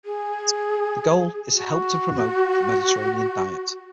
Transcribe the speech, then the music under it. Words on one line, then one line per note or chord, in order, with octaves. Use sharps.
The goal is to help to promote the Mediterranean diet.
G#4
F#4